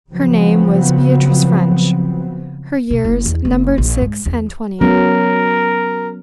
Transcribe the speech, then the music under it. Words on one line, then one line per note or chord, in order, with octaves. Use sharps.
Her name was Beatrice French; her years numbered six and twenty.
C#3 F3 F#3 B3 C4
B2
F#1
E2
F#1
A#1
G#2
E2
F#3 B3 C#4 A#4